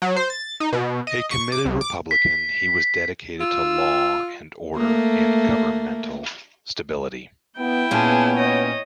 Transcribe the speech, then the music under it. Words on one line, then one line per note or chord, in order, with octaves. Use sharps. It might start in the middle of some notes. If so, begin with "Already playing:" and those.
A committed republican, he was dedicated to law and order and governmental stability.
F#3
C5
A6
D#4
B2
D#5
C#6
D6
C2
D6
B6
F4 E6
A3 A#3
B3 E4 G5
A#2 B3 C#4 G#4 A5
C#5 D#5